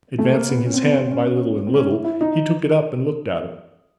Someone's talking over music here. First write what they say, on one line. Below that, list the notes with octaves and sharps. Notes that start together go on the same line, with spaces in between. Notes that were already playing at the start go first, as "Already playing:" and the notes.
Advancing his hand by little and little, he took it up and looked at it.
A3
A#3
B3
C#4
C4
B3
C4
C#4
C4
C#4
E4
E4
D#4